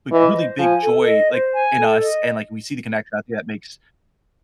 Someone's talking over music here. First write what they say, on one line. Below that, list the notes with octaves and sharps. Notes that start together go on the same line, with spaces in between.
like, really big joy, like, in us, and, like, we see the connection, I think that makes
E3 D#5
C5
F3 G#5
A4
D#5
C5
G#5
A4
D#5